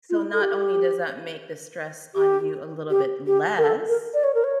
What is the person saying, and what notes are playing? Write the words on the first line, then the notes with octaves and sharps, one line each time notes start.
so not only does that make the stress on you a little bit less,
F4
E4
A4
G4
G4
G4
G4
A#4
A4
A#4
D5
C#5
A#4
C#5